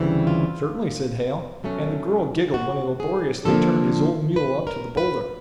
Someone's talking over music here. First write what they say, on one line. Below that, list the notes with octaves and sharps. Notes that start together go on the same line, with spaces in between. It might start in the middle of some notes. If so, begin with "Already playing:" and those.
"Certainly," said Hale, and the girl giggled when he laboriously turned his old mule up to the boulder.
Already playing: D2 C#3 E3 G3 C4
F4
B2 F#3 A3 C#4
F#4
G#4
D3 F3 A#3 D4 A4
B4
A#4
B4